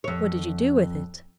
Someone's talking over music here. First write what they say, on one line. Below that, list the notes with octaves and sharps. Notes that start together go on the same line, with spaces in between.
'What did you do with it?'
F2 C#5